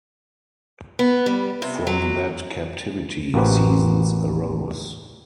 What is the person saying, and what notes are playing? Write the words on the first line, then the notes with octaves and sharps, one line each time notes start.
From that captivity, seasons arose.
B3
G3
C3
F#3
A1 A#3 F#4 G4 B4 C5